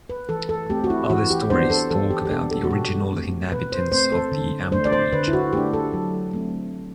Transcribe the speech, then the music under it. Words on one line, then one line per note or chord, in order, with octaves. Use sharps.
Other stories talk about the original inhabitants of the Amdo region.
B4
E3 A4
A4
A3 C4 G4
F#4
E4
E3 F#4
G4
B3 D4 C5
A4
E3 A4
G4
G4
B3 D4 A4
A4
F#4
B2 G4
A3 C4
B2 B4
C5
A3 C4 C5
A4
D3
A3 D4 C5
D5
C5
D3 B4
E4
F#4
A3 D4 G4
A4
F#3
A3 C4